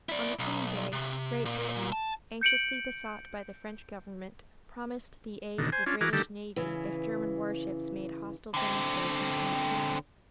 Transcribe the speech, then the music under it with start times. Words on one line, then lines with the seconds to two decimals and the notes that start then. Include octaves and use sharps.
On the same day, Great Britain, anxiously besought by the French government, promised the aid of the British navy if German warships made hostile demonstrations in the Channel.
0.09 E4 D5
0.39 B1
0.92 C3
1.45 A#2
1.92 A5
2.41 G6 C#7 D7 F#7
5.58 B2 D3 D#3
5.72 C5 G#5
5.86 C#4 D4 F4
6.01 E3 F#4 G#4 A#4 D6 F6
6.13 D3 D#3 G3 A3 G4 A4
6.56 C#3 E3
8.54 D3 C4